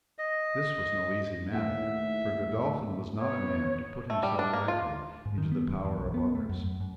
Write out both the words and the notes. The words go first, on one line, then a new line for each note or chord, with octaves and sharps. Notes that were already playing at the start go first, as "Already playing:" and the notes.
This was no easy matter; for Godolphin was not a man to put himself lightly into the power of others.
D#5
D#2 A2 E5 F#5
B3 C#5 D#6
A3
G3
D4
A#3
F4
G#2
D#3
B3
F#2
E2
B1
B3
A3
F#2
F#2
F#2